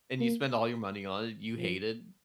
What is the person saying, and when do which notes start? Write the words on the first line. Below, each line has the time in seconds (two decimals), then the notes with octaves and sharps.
And you spend all your money on it. You hate it.
0.20 A#3
1.57 F3